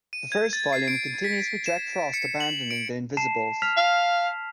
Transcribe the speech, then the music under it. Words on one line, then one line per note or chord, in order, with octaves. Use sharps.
The first volume continues with Jack Frost abandoning the Invisibles.
D#7
G#6
A6
C7
D7
B6
E7
C#7
F#7
D7
A5 C7 E7
F6 B6 F7
F5